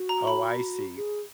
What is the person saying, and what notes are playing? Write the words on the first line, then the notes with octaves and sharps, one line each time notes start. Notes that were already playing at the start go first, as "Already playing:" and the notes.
Oh, I see.
Already playing: F#4
A#5
B5
G#4